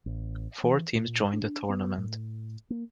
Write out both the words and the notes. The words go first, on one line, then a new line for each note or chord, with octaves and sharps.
Four teams joined the tournament.
A1
E3
A#2
D4
B3
A2
A#3